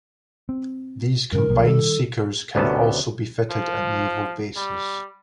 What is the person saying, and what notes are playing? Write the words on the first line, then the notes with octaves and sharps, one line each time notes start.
These combined seekers can also be fitted at naval bases.
C4
G2 C#3 F3 A#4
B1 A#2 F3
D#3 G3 A4
D2 C3 B3 C#4 A5
F3
G3